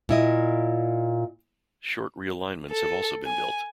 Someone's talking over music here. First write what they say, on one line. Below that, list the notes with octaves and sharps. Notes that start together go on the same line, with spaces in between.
Short realignments have also been built.
A#2 E4 D#5
A4
G#5